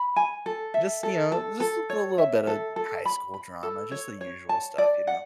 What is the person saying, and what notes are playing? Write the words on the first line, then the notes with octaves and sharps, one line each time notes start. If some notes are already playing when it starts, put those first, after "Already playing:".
just, you know, just a little bit of high school drama, just the usual stuff, you know.
Already playing: B5
G#5
A4
E5
A4
A4
A4
C#5
E5
A4
A4
B5
B5
A4
C#5
C#5
A5
D5
F#5